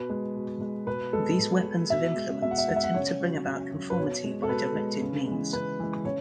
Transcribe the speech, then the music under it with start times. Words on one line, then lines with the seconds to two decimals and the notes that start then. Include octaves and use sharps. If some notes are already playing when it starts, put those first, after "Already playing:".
These "weapons of influence" attempt to bring about conformity by directed means.
Already playing: B2 B4
0.10 G#3
0.36 B2
0.61 G#3
0.87 B2 B4
1.13 G#3 A4
1.39 B2
1.64 G#3
1.90 B2 E5
2.16 G#3
2.42 B2 E5
2.51 F#5
2.58 E5
2.68 G#3 F#5
2.76 E5
2.84 F#5
2.94 C#3 C#5
3.20 F#3
3.46 C#3
3.71 F#3
3.90 B4
3.97 B2 C#5
4.24 G#3
4.43 A4
4.49 B2 B4
4.75 G#3
5.02 C#3
5.27 E3 G#3
5.53 C#3 B4
5.80 E3 G#3
6.05 C#3 C#5